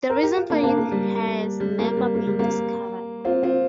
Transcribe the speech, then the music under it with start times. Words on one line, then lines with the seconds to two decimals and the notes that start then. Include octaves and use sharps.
The reason for it has never been discovered.
0.10 A#4
0.23 G4
0.36 F4
0.50 A#3 D4
0.63 A#3 D4
0.77 A#3
0.92 G3
1.60 G3
1.79 A#3
1.97 G3
2.15 A#3
2.27 G3
2.39 A#3
3.25 C4 F4
3.43 C4 F4